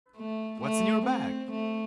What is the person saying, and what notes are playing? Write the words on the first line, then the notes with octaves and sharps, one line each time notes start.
What’s in your bag?
A3
A3
C4
A3